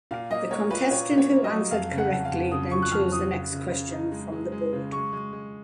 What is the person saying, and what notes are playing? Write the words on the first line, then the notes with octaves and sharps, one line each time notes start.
The contestant who answered correctly then chose the next question from the board.
A#2 F5
A#3 D#5
A#3 C#5
F4 B4
A#2 C#5
A#2
C#5
A#3
D#5
F#3
F2 F5
C#3
F#5
F2
F5
F2
C#3 D#6
F3 C#6
F#6
F2 F6
F3 D#6
C#3
C#3
C#3
D#4
G#3
G#3
G#3
C#3
G#3 C#6
G#3
G#3